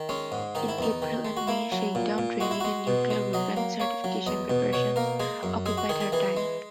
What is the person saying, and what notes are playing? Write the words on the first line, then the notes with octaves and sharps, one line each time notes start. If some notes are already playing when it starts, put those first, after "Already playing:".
In April and May shakedown training and nuclear weapons certification preparations occupied her time.
Already playing: D#3
G#3 C#4
G#2
D#3 D#4
E4
E2 D#4
D#3
G#3
F#4
A#3 E4
F#3
A#2
A#2
G#3 F#4
E4
G#3 F#4
B2
G#3
F#3 D#5
A#3
A#3 C#5
F#3
E2 D#5
B2
B2 C#5
A#3 A#4
G#3 G#4
F#2
G#3 G#4
F#4
D#3 G#4
G#4
E3 G#4
G#3